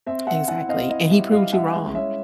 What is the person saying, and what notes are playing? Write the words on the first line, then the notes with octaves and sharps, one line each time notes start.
Exactly, and he proved you wrong,
C4 E5
C4 E5 F#5
E4 E5 F#5
C4 D#5 F5
E4 D#5
G3 E5
G3 D#5 F5
E4 E5 F#5
G#3
C#4 E5